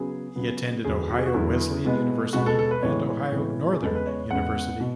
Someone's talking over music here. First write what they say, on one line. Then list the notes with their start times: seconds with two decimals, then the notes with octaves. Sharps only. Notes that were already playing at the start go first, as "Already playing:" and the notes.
He attended Ohio Wesleyan University and Ohio Northern University.
Already playing: C#3 F#3 B3 G#4
0.36 C#3 F#3 B3
0.84 E2 D3 F#3 B3 G#4
1.10 F#4
1.18 G#4
1.26 F#4
1.34 E2 D3 F#3 B3 E4
1.84 B2 G#3 B3
2.33 B2 G#3 B3 F#4
2.46 A4
2.59 A4
2.71 B4
2.82 A2 E3 G#3 B3 C#5
3.32 A2 E3 G#3 B3
3.72 G#4
3.81 E2 C#3 G#3 B3 A4
3.95 B4
4.07 C#5
4.31 E2 C#3 G#3 B3 F#5
4.80 B2